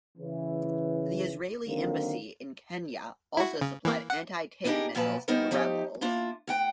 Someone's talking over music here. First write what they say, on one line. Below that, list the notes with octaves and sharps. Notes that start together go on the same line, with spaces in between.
The Israeli embassy in Kenya also supplied anti-tank missiles to the rebels.
C#3 E3
D3 D#3 F#3 A#3 C4
E4 F#4
C#3
E3 A#3
F#5
B3 D4 D#4 G4 G#4 A#4
F#2 A#2 F3 B4 A5
G3 B3 D#4 E4 A#4 C5
F3 D#4 G4
A#3 D4 E4 F4
A2 F#5 G5